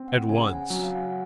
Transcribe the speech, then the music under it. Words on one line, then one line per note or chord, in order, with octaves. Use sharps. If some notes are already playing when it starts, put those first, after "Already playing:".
At once.
Already playing: C4
F#5
C#3 G#5
F#5
G#5
F#3 G#5
F5
F#5